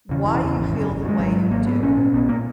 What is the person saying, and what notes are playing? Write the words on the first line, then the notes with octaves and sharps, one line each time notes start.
why you feel the way you do,
E2 C#3
E1 E3
E2 C#3
G#1
F#2 C#3
G#1
F#2 C#3
G#3
G#1 F#3
G#2
G#1 A#3
G#2 B3
A#1 C#4
A#2
A#1 B3
A#2 A#3